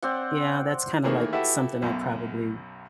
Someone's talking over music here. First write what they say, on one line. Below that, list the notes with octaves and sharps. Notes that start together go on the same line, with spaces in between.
Yeah, that's kinda like something I'd probably
C4 D5 F#5
D#3 E3 A3 A#3 G#4 C#5
E4 F#4 G4 A4 B4 E5
B1 F#2 B2